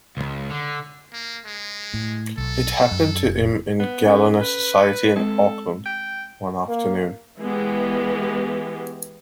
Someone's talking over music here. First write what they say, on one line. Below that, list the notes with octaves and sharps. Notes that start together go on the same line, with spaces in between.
It happened to him at the Gallina Society in Oakland one afternoon.
C#2
D3
A#3
G#3
A2
B1 A4
F#2
F1
B3
C#4 A4
B4
G#3 C4 A4
G5
A#3
E3 G#3 B3 G4